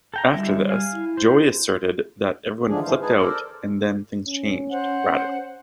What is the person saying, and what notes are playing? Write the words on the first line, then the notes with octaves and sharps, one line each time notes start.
After this, Joey asserted that everyone flipped out and then things changed radically.
A4 G5 A#5
D3 G3 G#3 E4
F5 G#5
E4
C5
A2 D3 D#3 F3 D4 G#4
G#2 E3 F3 C5 F5
D#4 G#4 B4 G#5 A5
A4 A#4 C5 D5
C#4
C5 F#5